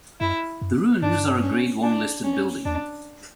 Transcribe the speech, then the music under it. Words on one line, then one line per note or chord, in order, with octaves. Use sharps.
The ruins are a Grade One listed building.
F#2 E4
F#2
G2 D4
C#4
D4
C#4
E2 D4